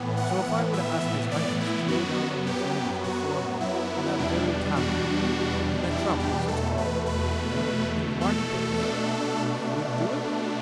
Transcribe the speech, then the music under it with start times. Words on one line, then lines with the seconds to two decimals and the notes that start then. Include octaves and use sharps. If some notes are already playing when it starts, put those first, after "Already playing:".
"So if I were to ask his highness to go down on his knees before me in that very tavern--'The Metropolis' it's called--or in the market-place, he would do it?"
Already playing: A2 E3 B3
0.17 F#5
0.73 E5
1.31 D5
1.61 E4
1.88 F#2 F#3 B3 F#4
2.46 G4
3.04 F#4
3.60 E4
4.18 E2 B2 G3 D4
4.76 F#4
5.91 E4
6.19 G4
6.48 E2 B2 A3 A4
6.78 B4
7.06 B4
8.21 A4
8.78 B2 A3 D4